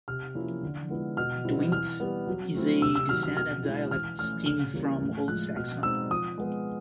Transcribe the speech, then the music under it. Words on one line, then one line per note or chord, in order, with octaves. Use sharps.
Tweants is a descendant dialect stemming from Old Saxon.
C3 F6
F3 A#3 C#4 E4
D3
F3 G#3 B3 E4
B2 F6
G3 C4 E4
E3 F6
G3 B3
F#3
A3 C4 E4
C3 E6
E6
D#3 F#3 F6
F6
B2 F6
G#3 C#4 E4
E3 F6
A3 C#4 F6
C#3 F6
E3 G3 A#3 C#4
A2
F3 G#3 F#6
B2 F6
G#3 C4 D#4 E6
F3 D#6
G#3 B3